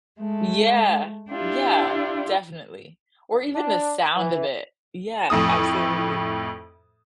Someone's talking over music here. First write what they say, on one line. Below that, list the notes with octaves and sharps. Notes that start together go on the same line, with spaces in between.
Yeah. Yeah. Definitely. Or even the sound of it. Yeah, absolutely.
G#3 A3
D4 E4 F4 G4
D4
E3
F2 A2 A3 D#6